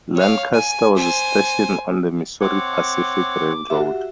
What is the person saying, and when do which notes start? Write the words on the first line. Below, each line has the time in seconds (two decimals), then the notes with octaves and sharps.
Lancaster was a station on the Missouri Pacific Railroad.
0.16 C#5 F5
0.53 G#5
0.96 C5 G#5
2.41 C4 C#5 F#5 D6
3.70 F#4 G4 E5 F#5